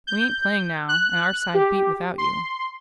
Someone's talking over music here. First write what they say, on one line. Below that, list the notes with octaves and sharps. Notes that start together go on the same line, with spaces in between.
"We ain't playing now, and our side beat without you."
G6
F#6
G4
C6